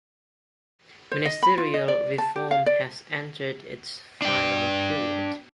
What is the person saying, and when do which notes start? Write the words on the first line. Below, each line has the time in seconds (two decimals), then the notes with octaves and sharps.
Ministerial reform has entered its final period.
1.12 C5
1.26 D#5
1.43 B5
1.58 F4
1.74 D#5
1.88 D5
2.18 A5
2.36 G4
2.51 F5
2.66 D5
4.22 D4 G5